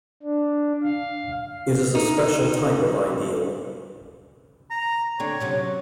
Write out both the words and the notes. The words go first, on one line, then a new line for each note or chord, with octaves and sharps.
It is a special type of ideal.
D4
F5
D#4
A#5
D3 C4 D4 C#5
C3 F#3 C#4